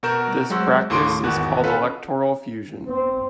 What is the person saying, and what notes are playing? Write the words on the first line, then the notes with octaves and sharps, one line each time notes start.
This practice is called electoral fusion.
B2 F#4 A#4 G6 E7
F#3 G#3 F#4 C5 E6
D#2 A2 C#3 C6 D6 D7
G#1 E2 D#3 F#4 F#6
C#4 F4 A4 B4 F#5 B6
C4